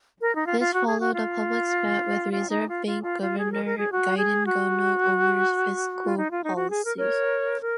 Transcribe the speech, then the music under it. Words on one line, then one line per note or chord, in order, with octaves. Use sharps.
This followed a public spat with Reserve bank Governor Gideon Gono over fiscal policies.
A#4
D#4
F4
F4
F#4
G#4
F#4
F4
F4
D#4
F4
F4
F4
F4
G#4
A#4
A#4
G#4
F#4
G#4
F#4
F4
D#4
F4
D#4
F#4
G#4
A#4
A#4 C#5
A#4